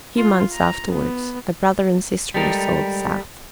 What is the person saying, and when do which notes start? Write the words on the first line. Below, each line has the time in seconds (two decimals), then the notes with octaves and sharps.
A few months afterwards a brother and sister were sold south.
0.16 F4
0.54 A#5
0.91 B3
2.34 G3 G#3 A4 A#4